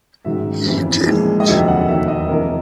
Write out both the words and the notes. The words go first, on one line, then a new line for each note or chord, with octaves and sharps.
He didn't!
A1 G#2 D#3 F#3 E5
G1 F2 C#3 E3
A#1 A#2 F3 G#3
D#5
F1 D#2 D3 F#3 E5
F#5
E1 D#2 D#3 F#3 E5
D#5
F1 E2 C#3 F3 A#4